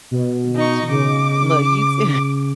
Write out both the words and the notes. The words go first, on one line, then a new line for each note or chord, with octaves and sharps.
You too? Well, you too.
B2
D#4 C#6
C#3 D6